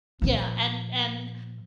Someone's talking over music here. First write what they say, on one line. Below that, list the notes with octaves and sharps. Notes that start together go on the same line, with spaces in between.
Yeah, and and,
A#2 F3